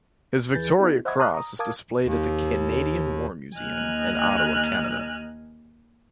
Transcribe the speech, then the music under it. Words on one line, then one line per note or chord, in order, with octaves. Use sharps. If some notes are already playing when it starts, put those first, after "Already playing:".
His Victoria Cross is displayed at the Canadian War Museum in Ottawa, Canada.
D#2 E3 G#4 B4 G6 A6
B3 D#4 E4 F#4 G#4
C5 D#5 E5 F#5 B5 G#6
A5 A#5 C6 D#6 F6 F#6
A#5 D#6
A#4 F5 A5 D6 D#6 G#6
D#2
D#2 D#5 G#5 F6 F#6